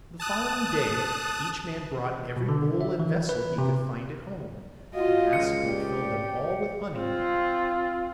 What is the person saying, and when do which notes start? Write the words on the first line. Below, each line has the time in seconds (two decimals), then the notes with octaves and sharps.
The following day each man brought every bowl and vessel he could find at home, and Hassebu filled them all with honey.
0.20 A5 D#6 F#6
2.37 B2
2.49 D3
2.81 E5
3.00 E3
3.29 B4
3.58 C3
4.95 F4 F#4 D#5 F5
5.33 C#2 C#7
5.66 G4 D5
6.94 C4 F4